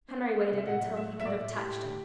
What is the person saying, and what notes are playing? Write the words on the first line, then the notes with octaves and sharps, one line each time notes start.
Henry waited until he could have touched him.
C4
C4
C4
C3
E5
A2 F#5
F#3
A2 E5
F#3
E5
A2 D5
A2
E4 G4
A2
D3